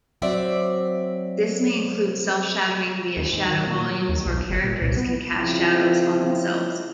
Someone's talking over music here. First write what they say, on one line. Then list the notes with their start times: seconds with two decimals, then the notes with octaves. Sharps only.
This may include self-shadowing via shadow volumes, where characters can cast shadows on themselves.
0.22 F#3 C4 D5 E5
3.17 D#2
3.32 G#2
3.48 D#3
3.67 A#2
3.90 F#3
4.09 D#2
4.25 B1
4.49 G1
4.64 A#2
4.82 C2
4.97 B3
5.37 C#3 F3 C4 E4 F4